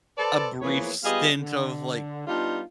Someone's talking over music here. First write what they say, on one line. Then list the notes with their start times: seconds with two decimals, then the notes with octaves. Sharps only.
a brief stint of, like,
0.17 A4 B4 C5 D5 A5
0.61 E3 F3 A#3 B3 G#4 C#5
1.04 G3 B3 F4 G#4 D#5 F5
1.39 D3
2.27 G3 B3 D4 D#4 F4